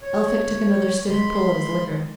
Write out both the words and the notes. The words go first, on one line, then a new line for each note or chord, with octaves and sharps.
Elphick took another stiff pull at his liquor.
C#5
G#3 B5 C6